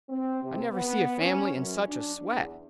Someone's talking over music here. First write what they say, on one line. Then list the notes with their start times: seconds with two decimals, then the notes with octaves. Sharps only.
I never see a family in such a sweat.
0.10 C4
0.43 C3
0.73 B3
1.19 C#4
1.55 F#2
1.88 D4
2.33 E2